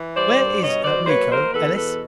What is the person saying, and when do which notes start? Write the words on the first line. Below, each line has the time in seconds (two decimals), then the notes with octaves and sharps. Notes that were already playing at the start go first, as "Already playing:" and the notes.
"Where is Miko, Ellis?"
Already playing: E3
0.16 G3 C5 D5
0.38 G2
0.61 B2 C#5 D#5
0.84 F#3 C5 D5
1.04 C5
1.08 A#3 B4 C#5
1.30 B2 A#4 C5
1.53 E2 A4 B4
1.76 B2 A4 B4